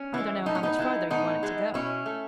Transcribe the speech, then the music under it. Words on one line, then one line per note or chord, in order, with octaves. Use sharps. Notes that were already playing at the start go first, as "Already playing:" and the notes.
I don't know how much farther you want it to go.'
Already playing: C#4
E3 G#3
A2 D#4
C#4
B3 D#4
E3 G#3
A2 B3 D#4
E3 G#3
B2 C#4 E4
A3